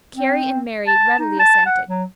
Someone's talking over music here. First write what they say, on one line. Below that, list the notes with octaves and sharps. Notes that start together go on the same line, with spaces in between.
Carry and Mary readily assented.
C4
A5
D#4
A5
F#5
F#3